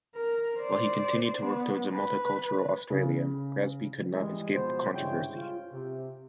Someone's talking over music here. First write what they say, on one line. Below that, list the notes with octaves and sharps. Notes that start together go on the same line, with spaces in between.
While he continued to work towards a multicultural Australia, Grassby could not escape controversy.
A#4
C5 D5
B3
B4
C#3
G#2 E3 G3 G#3
B2 F3 B3 C5
G2 C#3 G#3 E4 C#5 G5
F4
C3